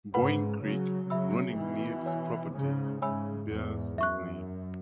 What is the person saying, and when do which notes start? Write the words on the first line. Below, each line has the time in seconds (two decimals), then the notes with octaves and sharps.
Boeing Creek running near this property bears his name.
0.14 G#2 C#3 B4 F#5 B5
0.62 C#3 F#3
1.10 C#3 F#3 E5 B5 E6
1.58 B2 E3
2.06 C#5 G#5 E6
2.54 G#2 C#3
3.02 G#2 C#3 C#5 E5 G#5 B5 E6
3.50 E2 G#2
3.98 F#2 E5 C#6 F#6